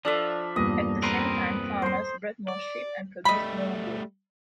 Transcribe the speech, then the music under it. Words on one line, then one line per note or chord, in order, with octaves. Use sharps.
At the same time farmers bred more sheep and produced more wool.
F3 D4 A4 E5
E2 G2 A#2 D#5
C4 A#4 B4 A#5 C6
C5 C6
D5
G3 A3 D#5 B5